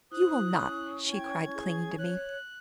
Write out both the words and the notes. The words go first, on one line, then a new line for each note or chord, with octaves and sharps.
"You will not!" she cried, clinging to me.
E4 C5 D#6 F#6
C#4
G5 G#6
G#4
C#5 F#6